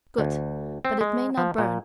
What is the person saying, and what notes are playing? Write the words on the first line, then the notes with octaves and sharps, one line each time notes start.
Good, but it may not burn.
D2
C4
G#3
F3
A#2